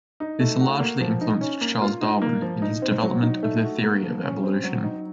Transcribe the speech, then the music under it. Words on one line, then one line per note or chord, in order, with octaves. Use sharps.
This largely influenced Charles Darwin in his development of the theory of evolution.
D#4
A3
F#4
A#3
F3
D#4
C#4
A#3
F4
D#4
A#3
F3
D#4
C4
F#3
D#4
A3
F#4
A#3
F3
C#4
C4
F#3
D#4